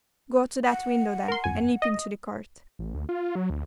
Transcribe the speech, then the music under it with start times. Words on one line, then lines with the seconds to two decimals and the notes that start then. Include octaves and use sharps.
Go to that window, then, and leap into the court.'
0.66 F#5
1.28 A#4 C6
1.44 G1 F2 G#5
1.82 D#5
2.79 A1
2.94 D2
3.09 F4
3.35 F#3
3.50 D2